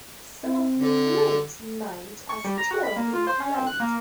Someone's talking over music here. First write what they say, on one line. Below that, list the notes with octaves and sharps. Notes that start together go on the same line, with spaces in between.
Some of the flutes he made are still being played.
C4
D3
C#6
G3
A#5
F#4
B5
A#3
F4
C5
C#4
C4
F#6
A#3